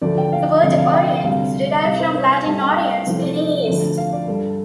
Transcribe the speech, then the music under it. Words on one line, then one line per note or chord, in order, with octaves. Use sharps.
The word "orient" is derived from Latin "oriens", meaning East.
D2 D3 F3 A3 D5
G5
F5
D2 C3 F3 D5
F5
G5
D2 C3 G3 F5
C2 C3 G3 F5
C5
C5
A2 G3 A5
G5
G5
F5
C2 C3 F3 A3 C5
D5
D5
D2 D3 F3 A3
F5
D5
G2 G3 A4